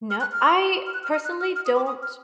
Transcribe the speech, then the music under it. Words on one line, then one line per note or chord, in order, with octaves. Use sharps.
No I personally don't
F6
F#6
F6
F6
F#6
F6
F6
F#6
F6
F6
D#6
D6
D#6
F6